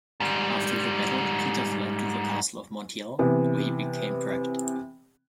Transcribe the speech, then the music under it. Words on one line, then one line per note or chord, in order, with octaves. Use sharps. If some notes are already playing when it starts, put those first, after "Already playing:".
After the battle, Peter fled to the castle of Montiel, where he became trapped.
G#2 G3
C3 E3 B3